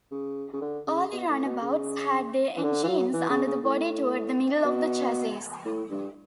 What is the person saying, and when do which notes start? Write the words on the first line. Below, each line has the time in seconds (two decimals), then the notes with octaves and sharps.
Early runabouts had their engines under the body toward the middle of the chassis.
0.11 C#3
0.53 C#3
0.62 D3
0.87 C#3
1.12 B2
1.29 A2
1.45 B2
1.62 C#3
2.56 E3
2.63 D3
2.84 E3
2.88 F#3
3.13 E3
3.30 C#3
3.47 C#3
3.63 A2
4.64 B2
5.65 A2
5.90 G2